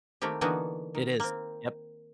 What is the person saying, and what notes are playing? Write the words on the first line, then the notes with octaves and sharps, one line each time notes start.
It is. Yep.
D#3 A3 A#3 C4 G4
D3 E3 A#3 B3 D#4 F#4
D#3
A#3 C4